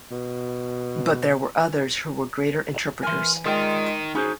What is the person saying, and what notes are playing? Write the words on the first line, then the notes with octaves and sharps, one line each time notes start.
But there were others who were greater interpreters.
B2
E3 A#4 G#5 C6
D#3 G#3 D#4 F4 G#4 A#4 D5 G5
C#4 D#4 F#4 G#4 C5